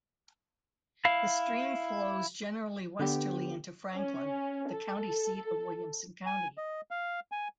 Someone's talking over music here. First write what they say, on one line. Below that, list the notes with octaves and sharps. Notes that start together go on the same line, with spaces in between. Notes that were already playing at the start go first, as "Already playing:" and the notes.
The stream flows generally westerly into Franklin, the county seat of Williamson County.
E4 F5
D3 B3 G4
C#4
A4
G#5
D#5
F5
G#5